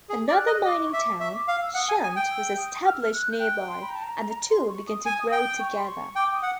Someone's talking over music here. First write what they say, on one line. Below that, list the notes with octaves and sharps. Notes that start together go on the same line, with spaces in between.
Another mining town, Chant, was established nearby, and the two began to grow together.
G#4
D5
F6
F#6
D#5
D#5 D6
C#6
E5 D6
E5 C#6
D6
F5
E6
F#5 D#6
G#5
G#5 D#6
G5
E6
D#6
F6
E6
F6
F#6
G6
G5 F#6
C6
B5
A#5
A5
A#5
C6
C#6
D#6
G#5
G5
C#6
C6
C#6
G5 D6
D#6
F#5